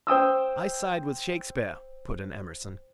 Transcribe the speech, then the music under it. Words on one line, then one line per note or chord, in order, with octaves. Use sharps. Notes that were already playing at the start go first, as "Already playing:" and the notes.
"I side with Shakespeare," put in Emerson.
C5 G5 D#6 E6